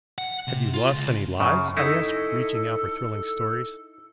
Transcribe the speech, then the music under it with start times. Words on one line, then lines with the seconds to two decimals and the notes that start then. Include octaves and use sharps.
"Have you lost any lives?" I asked, reaching out for thrilling stories.
0.18 F#5
0.47 C3
0.74 F4
0.91 C#2
1.40 F#2 C#3
1.77 D#4 E4 A4